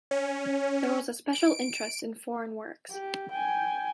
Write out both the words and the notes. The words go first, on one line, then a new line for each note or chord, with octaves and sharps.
There was a special interest in foreign works.
C#4
D7
G4
G5 G#5